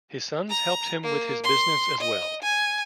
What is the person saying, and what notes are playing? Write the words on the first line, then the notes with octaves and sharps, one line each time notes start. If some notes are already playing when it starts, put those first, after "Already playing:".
His sons helped him with his business as well.
A#5
A#3
C6
D#5
G#5